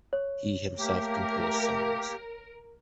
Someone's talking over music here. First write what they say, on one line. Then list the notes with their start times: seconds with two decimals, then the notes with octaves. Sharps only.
He himself composed songs.
0.13 C#5
0.78 A3 A#3 G4 A#4